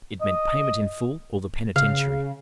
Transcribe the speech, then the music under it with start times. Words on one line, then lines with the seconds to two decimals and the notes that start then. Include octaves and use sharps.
It meant payment in full or the penitentiary.
0.22 D#5
1.76 C#3 F5